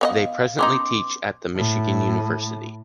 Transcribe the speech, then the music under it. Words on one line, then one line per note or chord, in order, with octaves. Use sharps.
They presently teach at the Michigan University.
B3 C#5 D#5 F5
B3 C#4 D#4 C6 D6
A2